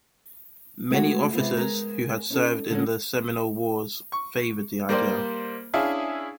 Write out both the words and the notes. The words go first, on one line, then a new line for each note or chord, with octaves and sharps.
Many officers who had served in the Seminole Wars favored the idea.
G#3 A3 F#4
C3 G#3 B3 F4
G#3 G#4 A#4
C#4 D#4 A4
D3 G#3 C#4
C#6
G3 A#3 C5 D5
C#4 D4 E4 G#4 E5 F5